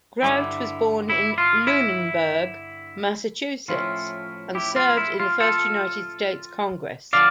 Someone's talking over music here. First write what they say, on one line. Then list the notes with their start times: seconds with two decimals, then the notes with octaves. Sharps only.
Grout was born in Lunenburg, Massachusetts and served in the First United States Congress.
0.23 G2 D3 G3 E4
1.10 E4
1.38 F4
1.67 E4
3.68 A2 F3 C#4 E4 F4
4.55 E4 G4
4.76 F4
4.97 E4
5.19 F4
5.40 F4 A4
7.13 D3 F3 D5 F5